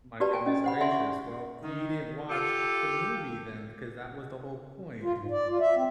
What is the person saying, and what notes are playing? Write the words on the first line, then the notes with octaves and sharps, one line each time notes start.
My goodness gracious. Well, you didn't watch the movie then, because that was the whole point.
F#4 G4 B4 D5 A5
G5 G#5
C#4 D#5
C5 F#5 B5
D5 E5 F#5 G#5 C6
C#6
D#3
F4 G4 A4
F4
G#2
D5
F4
E5
C4